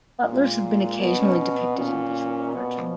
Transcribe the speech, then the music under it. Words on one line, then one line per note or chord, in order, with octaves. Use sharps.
Butlers have been occasionally depicted in visual art.
A#2 G#3
B2 B3
C#4
C#4
B3
A#2 C#4
B2 B3
F3